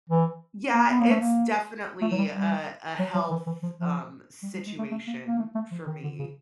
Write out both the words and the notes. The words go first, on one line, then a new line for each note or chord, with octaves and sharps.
Yeah, it's definitely a a health, um, situation for me.
E3
A#3
B3
A#3
A3
A#3
A3
F#3
G3
G3
F#3
F#3
E3
E3
F3
F3
G3
G3
G#3
A3
A3
A#3
A#3
A3
A3
F3
D#3
D3
C#3